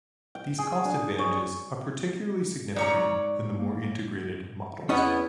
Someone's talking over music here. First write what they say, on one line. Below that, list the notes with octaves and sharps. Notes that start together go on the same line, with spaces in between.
These cost advantages are particularly significant in the more integrated models.
G5
G#4
D4
C#5
G#2 C#5 D5 A#5
A#3
E2 B3 C#4 E4 C#5 D#5